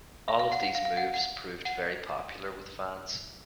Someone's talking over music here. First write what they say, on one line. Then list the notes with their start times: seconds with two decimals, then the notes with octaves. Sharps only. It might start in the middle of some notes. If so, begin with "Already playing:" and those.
All of these moves proved very popular with fans.
0.28 F5
0.39 F5
0.52 F#5
0.63 F#5
0.75 F5
0.85 F5
0.97 F#5
1.14 F#5
1.65 F#5